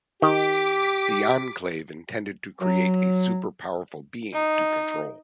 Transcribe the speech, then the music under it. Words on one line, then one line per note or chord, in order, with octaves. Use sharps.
The Enclave intended to create a super-powerful being to control.
D#3 G4 D6 B6
F#3
D#4